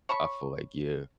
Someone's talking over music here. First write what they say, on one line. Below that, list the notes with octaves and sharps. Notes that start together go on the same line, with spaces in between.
I feel like, yeah,
C#5 A5 B5 C#6